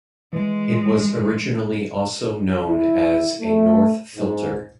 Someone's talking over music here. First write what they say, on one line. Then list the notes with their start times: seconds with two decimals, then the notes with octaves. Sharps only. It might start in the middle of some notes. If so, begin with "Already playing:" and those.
It was originally also known as a "North filter".
0.33 E3 G#3
2.67 E4
3.40 A3
4.16 G#2